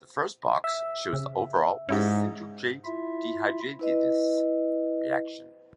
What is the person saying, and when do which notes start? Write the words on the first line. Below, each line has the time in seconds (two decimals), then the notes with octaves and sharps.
The first box shows the overall isocitrate dehydrogenase reaction.
0.64 E5
1.13 C#3
1.89 G#2 C#4 E4 G4
2.85 E4 F4 E5
3.79 E4 B4 D#5